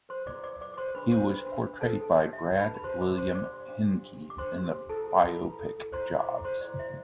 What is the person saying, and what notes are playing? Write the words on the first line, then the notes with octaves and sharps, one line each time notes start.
He was portrayed by Brad William Henke in the biopic "Jobs".
B4 C5 C6
E4 D5 D6
B4 D5 D6
B4 D5 D6
D6
C5 C6
D4 B4 B5
D4 C5 C6
D4 B4 B5
D4
D4
A4 C5 A5
D4
G4
D4 E5
D4
B4 B5
D4 A5
B5
G4 C5 C6
G4 D5 D6
D4 C5 C6
C5 D5 D6
G4
D4
G4
D4
G4
D6
D4 C5 C6
G4
G4
E4 A4 A5
E4
B4 B5
E4
E4
A4
A4
E4 C5 C6
E4
D5 D6
E4
E4 C5 C6
E4 D5
E4 E5